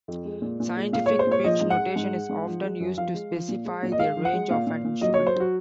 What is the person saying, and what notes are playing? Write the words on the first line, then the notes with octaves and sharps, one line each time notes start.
Scientific pitch notation is often used to specify the range of an instrument.
F2
G#3
A#2
A#2
G#3
A#2 F5
G#3 C#5
C5
A#2 C#5
F3 D#5
G#2
F#5
G#3
G#2
G#3
G#2
F3
G#3
F#2
F3 F5
G#3
F3
A#2
G#3
A#2
D#5
G#3 F5
F3
F#5
G#3
A#2 F5
A#2
A#2
F#3 D#5
C#5
F#3
C5
F#3 F#4